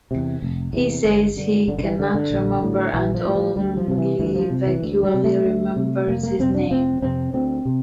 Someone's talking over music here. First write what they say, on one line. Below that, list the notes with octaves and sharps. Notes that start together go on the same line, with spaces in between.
He says he cannot remember and only vaguely remembers his name.
E2 C3
F1
E2 C3
G1
G2 D3
G1 D3
D3
E3
G2 D3
D3
A#1
A2
A#1 E3
F3
A2
F3
D2 G3
F3
C3 F3
E3
D2 E3
F3
C3
E3
D2
G3
C3
A3
D2
C3
F1 A#3
A#3
F2 C3 C4
D4
F1 C4
F2 C3 C4
D2 C4
C3